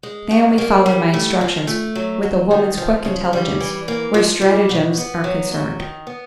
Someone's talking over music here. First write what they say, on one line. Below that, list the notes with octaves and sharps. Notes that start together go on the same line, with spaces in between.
Naomi followed my instructions with a woman's quick intelligence where stratagems are concerned.
G#3
B2
A#3
G3
A3
F3
A3
F#3
F#3
D#3
F3
C#3
G3
E3
A#3
F3
G3
B2
B3
F#3
F#3
D#3
B3